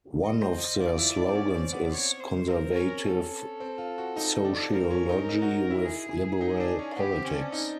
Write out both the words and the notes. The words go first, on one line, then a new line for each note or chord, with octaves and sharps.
One of their slogans is 'conservative sociology with liberal politics.
D#5
C5
F4 D5
F4
E4
D4
C4
C#4
C4
B3
C#5
C5
C4 A#4
C4
C#4
A4
C4
F4
F#4
D#4
D4
C4 A#4
C#4
D#4
D#4
F#4
E4
G#4
D#4
D4
C#4
B3 G4
C4
C#4
D4
D#4